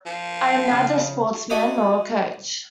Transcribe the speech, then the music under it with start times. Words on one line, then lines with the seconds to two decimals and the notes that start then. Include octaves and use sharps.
I am neither a sportsman nor a coach.
0.06 F3
0.71 C#3 F6
1.50 D#4 E4 F#4 A4 D5 D#5